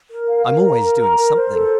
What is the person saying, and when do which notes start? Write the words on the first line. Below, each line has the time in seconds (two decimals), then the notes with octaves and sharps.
I'm always doing something.
0.11 A#4
0.28 F5
0.46 A#4
0.63 A#5
0.82 A#4
0.99 A#5
1.18 A#4
1.35 C5
1.52 A4